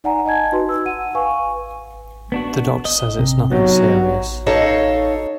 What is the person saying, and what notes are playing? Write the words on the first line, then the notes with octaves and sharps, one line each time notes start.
The doctor says it's nothing serious.
D#4 D5 F#5 G#5 A#5
D#5 G#5 A5 G#6
D#4 F#4 B4 C6
E6
F#5 D#7
B4 F5 G#5 C#6
B3 D4 F#4
D#5
C3
F#3 B3 D#4 G4
D#4 F#4 A4 C#5 D#5 F5